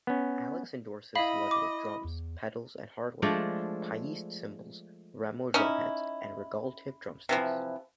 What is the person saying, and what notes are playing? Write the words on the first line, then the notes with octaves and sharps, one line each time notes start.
Alex endorses Ludwig drums, pedals and hardware, Paiste cymbals, Remo drumheads and Regaltip drumsticks.
B3 C#4
E4 D#5 F5 B5
D6
E2
F3 G#3 A3 D4
C#4 D#4 E4
C3 E3 F3